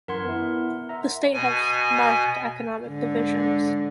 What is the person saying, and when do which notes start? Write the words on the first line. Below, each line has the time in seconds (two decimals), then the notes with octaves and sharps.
The state has marked economic divisions.
0.08 F#2 E3 A#4 F#5 C6 G#6
0.25 B3 E4
0.89 E5 A#5
1.33 B2 G#5
2.87 G#2 D3